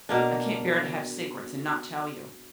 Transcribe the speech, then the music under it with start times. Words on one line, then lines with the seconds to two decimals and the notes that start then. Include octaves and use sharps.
"I can't bear to have secrets and not tell you."
0.09 B2 A#3 D4